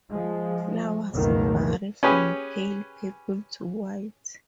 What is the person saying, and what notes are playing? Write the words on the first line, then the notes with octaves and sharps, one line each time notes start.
Flowers vary from pale purple to white.
F3 G#3
F#1 C#2 B2 D#3 A3 A#3
C#4 G4 G#4 B4 C#5